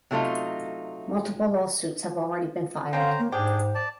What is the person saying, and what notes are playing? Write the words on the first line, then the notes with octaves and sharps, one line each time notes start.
Multiple lawsuits have already been filed.
C3 F#3 A3 D#4 F4
D3 C4 C#4 C5 F5 A#5
A#3
G#2 D4 G4 G#4 C5
D5 A5